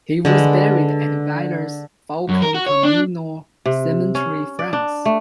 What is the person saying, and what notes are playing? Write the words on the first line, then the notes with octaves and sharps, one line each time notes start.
He was buried at Villers-Faucon Communal Cemetery, France.
D3 G#3 D4 B4
F#2
A#4
F#4
C#5
D4
C3
C#4
D5
D4
A3